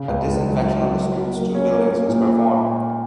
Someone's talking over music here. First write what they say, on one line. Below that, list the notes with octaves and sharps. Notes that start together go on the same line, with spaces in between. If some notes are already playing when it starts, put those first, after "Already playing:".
A disinfection of the school's two buildings was performed.
Already playing: C#3
C#2
C#2
F#3
F#3
F#3
F#3
F#3
A#3
C#4
A#3
A#3
A#2